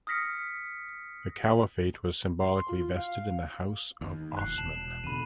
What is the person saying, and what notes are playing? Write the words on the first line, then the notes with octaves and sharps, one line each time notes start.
The caliphate was symbolically vested in the House of Osman.
D#6 F6 A#6 B6 C#7
C6
F4
F5
D#2
F1 F#6 C7
E1 A5 E7 F#7
E2 B2 D3 B5 D#7